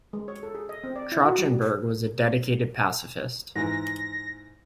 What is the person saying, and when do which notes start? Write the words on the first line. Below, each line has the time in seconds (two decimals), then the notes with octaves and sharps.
Trachtenberg was a dedicated pacifist.
0.13 G#3
0.28 C#5
0.43 A4
0.55 G#4
0.69 D#5
0.84 C4
0.96 D5
1.12 E4
1.26 F#4
1.38 G3
3.55 G#2 E3 A#6